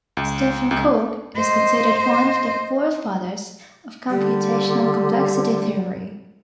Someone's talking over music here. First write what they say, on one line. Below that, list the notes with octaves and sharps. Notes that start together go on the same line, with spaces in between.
Stephen Cook is considered one of the forefathers of computational complexity theory.
C#2
C#2
C5 D#5
D3 G3